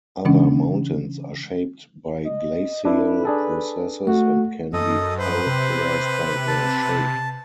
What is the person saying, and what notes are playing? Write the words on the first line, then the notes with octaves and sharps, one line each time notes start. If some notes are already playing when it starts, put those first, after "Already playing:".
Other mountains are shaped by glacial processes and can be characterized by their shape.
C#3 E3 G#3 C#4 D4
D#5
D4 E4 B4
D4 G#4 A4
A3 F#4
F#2 A4 D#5 D#6
B4 C5
C3
A5